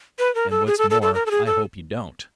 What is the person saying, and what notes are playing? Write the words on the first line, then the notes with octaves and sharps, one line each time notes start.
"And what's more, I hope you don't."
B4
A#4
A4
G#4
A4
A4
A4
A#4
A4
G#4
A4